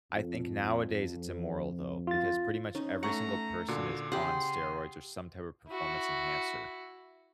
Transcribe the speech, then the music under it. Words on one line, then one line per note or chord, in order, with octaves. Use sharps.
I think nowadays, it's immoral, though, because pretty much every single person is on steroids or some type of performance enhancer,
F2
F4 A6
C#4 D#4
A3 F#5 A#5 C#6 C#7
A#2 D3 F#4
C#3 G4 F#5 C6
E4 F#4